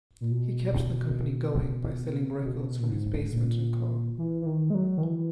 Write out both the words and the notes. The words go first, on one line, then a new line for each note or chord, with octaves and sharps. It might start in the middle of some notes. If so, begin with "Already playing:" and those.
He kept the company going by selling records from his basement and car.
A#2
B2
C#3
B2
B2
A#2
G#2
A#2
E3
E3
D#3
G#3
F#3
D#3
E3